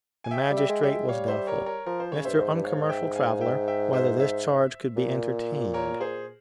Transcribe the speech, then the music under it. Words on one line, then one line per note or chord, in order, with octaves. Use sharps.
The Magistrate was doubtful, Mr. Uncommercial Traveller, whether this charge could be entertained.
G#5
E5 G5
G3
E5 G5
G#3
G3 E5 G5
G#3
G3 C#5 F5
C5 E5
A#4 C#5
A#4 C#5
F3 A#4
C5
C#3 C#5
G2 C5 E5
G#2
G2
G#2 C#5 F5
E5 G5
F5 G#5
E5 G5
E5 G5
C5 E5
C5 E5
A#2
A#4 C#5
G#4 C5